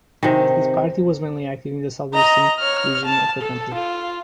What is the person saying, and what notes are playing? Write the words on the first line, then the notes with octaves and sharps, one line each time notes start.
His party was mainly active in the southeastern region of the country.
C3 D#3
D#5 A#5
C#5 F6
A5
A4
F4